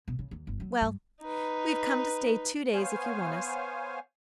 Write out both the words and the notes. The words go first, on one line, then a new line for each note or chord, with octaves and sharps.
Well, we've come to stay two days if you want us.
B2
C#3
D#2
G1
F#3
G2
D#4 B4
B3 C5 C#5 F5 G#5